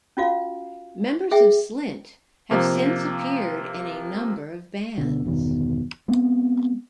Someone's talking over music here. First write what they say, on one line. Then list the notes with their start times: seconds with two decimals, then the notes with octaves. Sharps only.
Members of Slint have since appeared in a number of bands.
0.17 C#4 F4 F#4 F5
1.31 G#4 E5 G5
2.51 C3 F3 A#3
4.98 C#2 B2 D3
5.24 G1 E2 B2 D#3
6.08 G#3 B3 C4